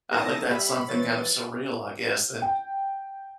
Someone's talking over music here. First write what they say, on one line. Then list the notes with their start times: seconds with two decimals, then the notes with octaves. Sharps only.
I think that's something kind of surreal, I guess, that
0.11 D#3 E4 G#4 A#4 A5 D#6 A#6
0.51 G3 G#4 E5 B5
0.88 E3 F3 C#5 A6
2.42 G5